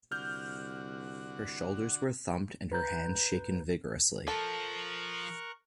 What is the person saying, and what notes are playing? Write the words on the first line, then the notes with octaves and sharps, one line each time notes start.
Her shoulders were thumped and her hands shaken vigorously.
C2 D3 F#4 F6 G6
B4 A#5 G6
F3 A4 A#4 C#6 F#6